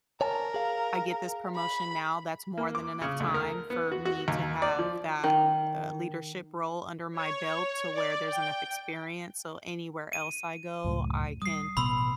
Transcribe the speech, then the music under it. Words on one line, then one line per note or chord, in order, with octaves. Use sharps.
I get this promotion now, that's more than enough time for me to have that, uh, leadership role under my belt to where there's enough experience, so anywhere else I go, I can
A#4 C#5 G#5 A5
G#4 F5
B5
A#3
D6
C#3
D2
A#4
B3
F#4
F#4
D#2
D5
F3
D#3
C#5
D5
G5
D#7
C#2 F#2 A2
G3 D#6 C7
A1 B2 B3 B5 C6 E6